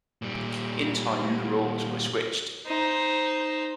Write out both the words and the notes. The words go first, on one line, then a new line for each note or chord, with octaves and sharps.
In time, the roles were switched.
A#2 G3
D#4 C5